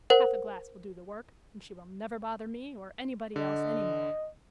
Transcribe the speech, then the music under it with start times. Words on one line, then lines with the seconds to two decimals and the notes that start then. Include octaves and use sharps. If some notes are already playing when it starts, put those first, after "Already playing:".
"Half a glass will do the work and she will never bother me or anybody else any more."
0.10 A#4 C5 F#5
3.36 D3 D#5